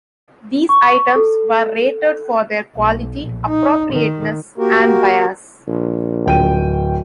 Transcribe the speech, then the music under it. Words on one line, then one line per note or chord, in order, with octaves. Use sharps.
These items were rated for their quality, appropriateness, and bias.
C#6
A4
B1
A#1
D#4
D#3
A#3 F#4 G4 A#4
A#1
D1 G5 D#7